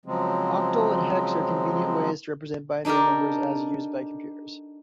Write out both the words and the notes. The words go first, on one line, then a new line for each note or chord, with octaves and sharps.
Octal and hex are convenient ways to represent binary numbers, as used by computers.
C#3 F3 F#3 G#3 C4
D4 D#4 G4 A4 A#4